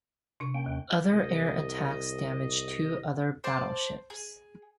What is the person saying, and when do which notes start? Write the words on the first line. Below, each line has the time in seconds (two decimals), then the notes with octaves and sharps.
Other air attacks damage two other battleships.
0.40 C3 D4 C#6
0.55 A#3 C#4 G5
0.66 D#2
1.10 C2 D#5
3.44 C5 D5 A5 C6
4.10 G#4